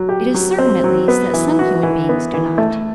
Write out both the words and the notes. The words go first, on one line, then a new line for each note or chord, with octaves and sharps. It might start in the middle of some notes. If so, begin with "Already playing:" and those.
It is certain, at least, that some human beings do not.
Already playing: F#3
G4
F#3
C4
F#3
B3
E3
F#4
E3
B3
E3
A3